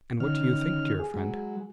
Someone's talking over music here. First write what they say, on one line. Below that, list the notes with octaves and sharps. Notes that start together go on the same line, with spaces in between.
And what do you think, dear friend?
D3 D#3 C#4 F6
G#4
F#3 G#3